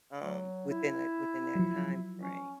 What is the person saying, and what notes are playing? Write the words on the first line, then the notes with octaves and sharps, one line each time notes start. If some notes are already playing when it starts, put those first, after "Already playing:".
um, within that within that time frame,
F#3
E4
F3 F#3
C#4